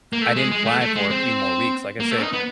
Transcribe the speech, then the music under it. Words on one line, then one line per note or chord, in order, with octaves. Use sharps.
I didn't fly for a few more weeks. Like I said,
A#3
A3
G#3
G#3
A3
A3
G#3
C4
A#3
A3
D#4
B3